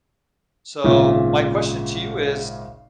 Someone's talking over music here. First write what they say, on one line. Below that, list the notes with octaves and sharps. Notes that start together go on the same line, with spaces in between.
So my question to you is
G#1 A#2 C#3 E5